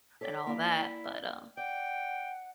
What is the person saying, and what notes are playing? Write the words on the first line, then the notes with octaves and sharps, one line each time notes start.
and all that, but, um
A4 C#5 D5 B6
A#3 E4 D5 F5
D5 F#5 G5